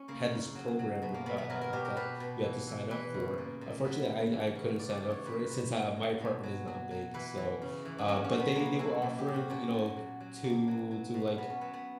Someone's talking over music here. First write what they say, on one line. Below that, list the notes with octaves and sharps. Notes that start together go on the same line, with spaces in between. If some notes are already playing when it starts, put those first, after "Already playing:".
had this program where, uh, that you had to sign up for, unfortunately, I I couldn't sign up for it since I my apartment is not big, so, uh but they they were offering, you know, to to, like,
Already playing: C#4
C#3 A#3
C#3
F#3
F#3
B2
A#3
B2 B3
B3
F#3 A#4
A#4
B2 G4
A#4
B2 B4
B2
E3
E3
E3 B4
C#3
A#2
A#2
F#3 B4
F#3
E3
C#3
C#3 D5
D5
E3
C#5
A#2 B4
A#2
A#2
F#3
B2
F#3
F#3
F#3
E3 B4
E3
C#3
E3
D4
F#3 C#4
C#4
B2
B3
F#3 A#3
F#3 E4
A#2
G4
A#2
F#4
A#2 C#4
A#2
F#3
F#3
B2 A#3
F#3
F#3
B2
F#3 B3
C#4
F#3 B3
B3